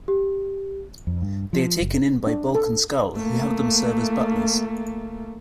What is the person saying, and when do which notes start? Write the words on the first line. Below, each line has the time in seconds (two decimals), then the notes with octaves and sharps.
They are taken in by Bulk and Skull, who have them serve as butlers.
0.08 G4
1.07 F2
1.22 G2
1.53 F3
1.80 F#1
2.27 D4
2.55 A4
3.16 A3 A#3